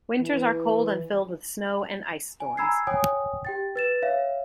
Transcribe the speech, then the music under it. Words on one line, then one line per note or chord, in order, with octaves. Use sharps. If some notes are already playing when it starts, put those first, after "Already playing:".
Winters are cold and filled with snow and ice storms.
E3
G#5
G#5 A#5 B5 E6 G#6 C7
C#5 G5 G#5 D#6
G4 G5 A6
B4 A6 E7
C#5 E5 F5